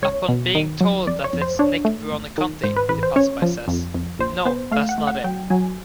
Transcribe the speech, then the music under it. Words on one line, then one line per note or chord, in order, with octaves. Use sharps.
Upon being told that it's Nick Buoniconti, the passerby says, No, that's not it.
C#2 C#5
B2
D#3
F#3
F2 D5
C#5
F2
C5
D4 C#5
A3
G#1
D#3
G#2 C5
B4
A1 B4
C5
C#4 C#5
F3
F2
F2
A#1 C5
B3 C5
A3 F5
F#5
A3
F#5
F#3 G5
F#3 G#5